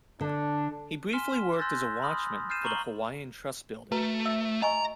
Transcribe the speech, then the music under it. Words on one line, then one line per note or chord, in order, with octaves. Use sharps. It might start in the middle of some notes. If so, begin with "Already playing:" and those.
He briefly worked as a watchman for the Hawaiian Trust building.
D3 D4
G#5 C6 F6 B6 E7 G7
C6 E6 F#6 G6 A6 A#6
B5 C6 D#6 F6
F6 G6 A6 C7 D#7 E7
A#5 C#6 E7 F#7 G7
A3 F#4 B4 A#5
E5 E6
D#5 G#5 A#5 C#6